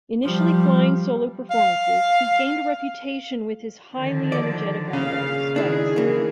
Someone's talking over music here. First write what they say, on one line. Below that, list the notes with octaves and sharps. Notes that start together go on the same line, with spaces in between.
Initially flying solo performances, he gained a reputation with his highly energetic aerobatic displays.
F3 G3
F5
D3 D#3 F3
D5
A#2 C#3 F5
D#3 D4 E4 G#4
E3 A#3